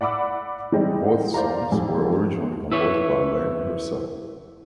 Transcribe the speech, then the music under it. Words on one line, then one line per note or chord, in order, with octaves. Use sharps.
Both songs were originally composed by Lane herself.
D5 F#5 B5 D6 E6
E3 G3 G#3 C4 D#4 D#5
C5 D5 F5 A#5
F2 D#3 G4
E4 B4 C#5